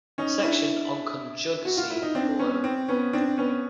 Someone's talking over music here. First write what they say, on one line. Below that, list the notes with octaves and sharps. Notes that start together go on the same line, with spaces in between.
Section on conjugacy below.
C#4 D#4
D4 E4
F#4
F4
E4
D#4
C4 D4
B3 C#4
C4
B3 C#4
C4 D4
B3 C#4